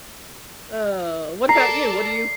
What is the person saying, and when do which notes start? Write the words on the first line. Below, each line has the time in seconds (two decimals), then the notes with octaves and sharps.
Uh, what about you? What do you
1.49 A4 A#4 D5 A#5 C7